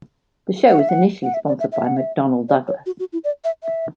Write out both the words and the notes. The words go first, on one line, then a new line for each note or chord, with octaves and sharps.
The show was initially sponsored by McDonnell-Douglas.
F#5
E5
F#5
F#5
E5
D5
E5
E5
F#5
E5
D5
C#5
F#4
F#4
E4
D5
E5
E5